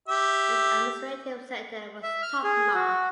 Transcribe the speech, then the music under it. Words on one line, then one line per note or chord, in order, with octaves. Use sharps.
Its administrative centre was Totma.
G4 E5
E5
F6
G#4
F#4